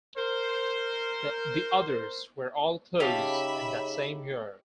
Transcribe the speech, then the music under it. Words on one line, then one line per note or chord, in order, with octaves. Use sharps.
The others were all closed in that same year.
A#4 C5
C#3 D#4 G4 C#5 E5 F5 A5 B5